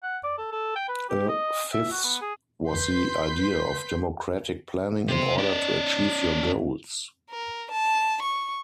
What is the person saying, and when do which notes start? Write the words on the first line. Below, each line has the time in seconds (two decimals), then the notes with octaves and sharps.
A fifth was the idea of democratic planning in order to achieve your goals.
0.03 F#5
0.23 D5
0.38 A4
0.52 A4
0.76 G5
0.88 B4
1.10 G4
1.29 D#5
1.73 E5
1.91 F#4
2.04 B3
2.22 G#4
2.69 B4 C6 G6 B6
5.08 C3 C5
5.38 C#4 D5
7.30 A#4
7.71 A5
8.22 C#6